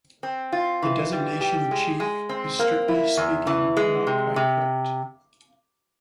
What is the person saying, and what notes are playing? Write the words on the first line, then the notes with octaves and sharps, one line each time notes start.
The designation "chief" is, strictly speaking, not quite correct.
C4
F4
E3
G3
G4
G#3
G#3
C4
A#3
E4
E2
E3
G#3
C3
C3